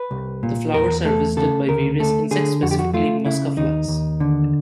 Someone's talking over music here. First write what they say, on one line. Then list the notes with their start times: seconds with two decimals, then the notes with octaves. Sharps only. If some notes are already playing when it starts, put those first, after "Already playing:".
The flowers are visited by various insects, specifically "Musca" flies.
Already playing: B4
0.11 C2
0.43 A#2
0.74 E2 A#4
1.05 A3 A4
1.37 C#3 A4
1.68 D2 A#4
2.00 A3 A4
2.31 D3 G#4
2.62 F2 F#4
2.71 G4
2.79 F#4
2.94 A3 F4
3.25 C#3 E4
3.57 D#2 D#4
3.88 D#2
4.20 D3